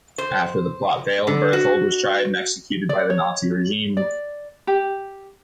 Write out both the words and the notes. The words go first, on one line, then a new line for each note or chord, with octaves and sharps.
After the plot failed, Berthold was tried and executed by the Nazi regime.
C5
D3
F#4
D5
C#5
D5
G4